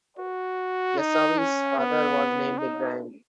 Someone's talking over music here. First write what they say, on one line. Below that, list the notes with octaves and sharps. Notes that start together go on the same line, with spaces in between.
Yassawi's father was named Ibrahim.
F#4
D#4
C#4
B3
D#4